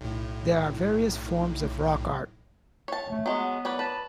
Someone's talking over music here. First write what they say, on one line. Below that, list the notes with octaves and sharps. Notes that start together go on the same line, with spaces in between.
There are various forms of rock art.
B1 A2
C#5 A5
A3
F#3 G#3 B3
B4 C#5 D5
B4 A5